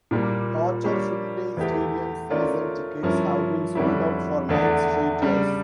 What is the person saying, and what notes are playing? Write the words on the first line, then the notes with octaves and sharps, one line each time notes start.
Carter-Finley Stadium's season tickets have been sold out for nine straight years.
A#2 G3 A#3
G3 A#3 D4 G4 C#5
E2 E3 A3 E4 G4
A3 C#4 F4 A#4 D5
G2 F3 C#4 E4 A#4
F2 D3 G3 C#4 E4
E2 D3 A3 D4
C#3 G3 D4